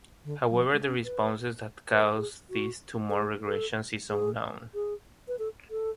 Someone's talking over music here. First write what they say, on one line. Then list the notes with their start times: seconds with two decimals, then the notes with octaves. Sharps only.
However, the responses that cause these tumour regressions is unknown.
0.24 D3
0.50 F#3
0.56 F3
0.73 G#3
0.88 C#4
1.04 B4
1.92 B4
2.00 A4
2.17 G#4
2.50 F#4
3.10 A4
3.14 G#4
3.46 A4
4.10 G#4
4.74 G#4
5.28 B4
5.39 A4
5.71 A4